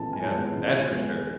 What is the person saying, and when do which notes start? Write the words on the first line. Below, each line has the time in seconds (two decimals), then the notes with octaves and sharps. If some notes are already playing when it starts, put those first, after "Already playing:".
Yep, that's for sure.
Already playing: A1 A2 G#3 B3 A5
0.13 G#5
0.24 A2 G#3 B3 A5
0.55 A1
0.87 A2 G#3 B3